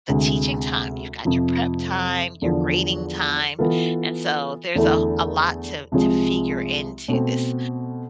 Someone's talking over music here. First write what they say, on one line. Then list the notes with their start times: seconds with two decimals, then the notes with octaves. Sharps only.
the teaching time, you've got your prep time, your grading time, and so, there's a a lot to to figure into this,
0.08 D2 C3 G#3
1.25 F2 C3 F3
2.42 E2 D3 F3
3.59 E3 B3 F4 A4
4.75 E2 D3 A3 E4 A4
5.92 C2 C3 F3 G#3
7.08 B2 A3 C4